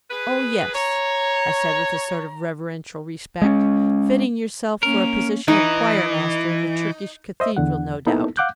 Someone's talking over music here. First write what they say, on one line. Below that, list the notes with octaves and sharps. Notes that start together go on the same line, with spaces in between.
"Oh, yes," I said with a sort of reverential respect, "fitting yourself for a position of choir-master in a Turkish cathedral, no doubt."
G#4 B4
C#5 A#5
G#3 B3 C#4
A#3 C#4 A#4
E3 D#4
C5 D#5 E5
E2 D3 F#5
A#3 B3 D#4 E4 A4
F5 F#5 D6 F#6 G6